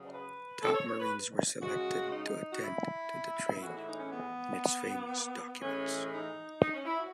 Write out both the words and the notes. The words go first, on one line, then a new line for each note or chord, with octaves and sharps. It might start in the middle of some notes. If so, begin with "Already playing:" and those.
Top Marines were selected to attend to the train and its famous documents.
Already playing: C#3 F#3
B4
A4
C#5
C#5
B4
C#3 G#3 F#4
D#4
F#4
E4
A2 E3 G#3 F#4
E4
D#4
C#4
B3
A2 E3 G#3 C#4
D#4
D#4
C#4
E4
F#4